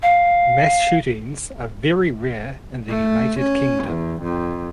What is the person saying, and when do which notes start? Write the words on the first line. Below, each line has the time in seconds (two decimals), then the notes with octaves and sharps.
Mass shootings are very rare in the United Kingdom.
0.02 F5
2.89 A3
3.40 C#4
3.84 E2
4.22 F2